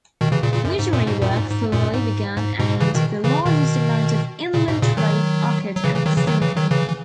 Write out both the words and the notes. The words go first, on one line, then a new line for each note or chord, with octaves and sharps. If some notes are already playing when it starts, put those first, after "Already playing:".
Missionary work formally began and the largest amount of inland trade occurred at Sinkan.
B2 D#3
C#3 E3
A#2 C#3
A#2 C#3
F#2
G#2
F#2 A#2
G#2 B2
F#2 A#2
A#2
G#2
G#2
F#2 A#2
G#2
G#2
G#2 B2
C#3 E3
B2 D#3
C#3 E3
B2 D#3
A#2 C#3
G#2 B2
A#2 C#3
D#3 F#3
F#3
C#3 E3
C#3 E3
D#3 F#3
C#3 E3
D#3 F#3
C#3 E3
D#3 F#3
C#3 E3
E3